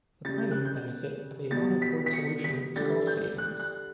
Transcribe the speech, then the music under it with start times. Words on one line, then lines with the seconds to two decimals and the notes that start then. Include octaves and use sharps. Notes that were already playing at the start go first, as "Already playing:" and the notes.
The primary benefit of a monoboard solution is cost savings.
0.25 C#3 G3 A6
0.38 G6
0.51 F#6
0.65 G6
1.51 B2 G3 A6
1.82 B6
2.06 B6
2.13 C#7
2.44 B6
2.76 D3 G3 A6
3.07 G6
3.38 F#6
3.59 F#6